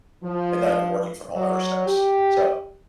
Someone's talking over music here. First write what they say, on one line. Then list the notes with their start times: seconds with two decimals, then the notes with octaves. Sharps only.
And then I've been working from home ever since, so,
0.22 F3
1.35 F#3
1.87 G4